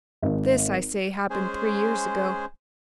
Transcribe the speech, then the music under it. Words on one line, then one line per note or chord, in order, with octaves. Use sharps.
This, I say, happened three years ago.
G#1
G#3 C#4 G#4 C5